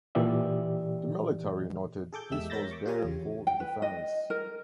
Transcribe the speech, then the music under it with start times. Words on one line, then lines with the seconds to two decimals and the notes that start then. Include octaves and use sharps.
The military noted this was better for defense.
0.15 A#2 E3 G4 D5 E5
2.12 G#4 A4 D6 G6
2.31 E2 G#3 G4 E5 E6
2.50 A#4 C#5 B5 G6 A6 A#6
2.71 C#6 D6
2.86 F4 G4 C#5 G#5 A#5
3.04 E2 C#3
3.47 G5
3.60 B4
3.82 D#5
4.30 A#4